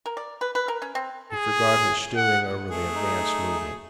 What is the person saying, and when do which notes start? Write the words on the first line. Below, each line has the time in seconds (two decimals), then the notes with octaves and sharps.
He forgot his stewing over the advance movement.
0.06 A#4
0.17 D5
0.41 B4
0.55 B4
0.68 A#4
0.82 C#4
0.95 C4
1.32 G#4
2.16 F#5
2.71 A3 G#4
2.95 D#4